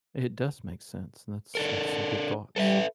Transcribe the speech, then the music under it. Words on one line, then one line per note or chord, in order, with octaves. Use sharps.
It does make sense, and that's that's some good thoughts.
D4 A4 A#4
G3 A4 B4 E5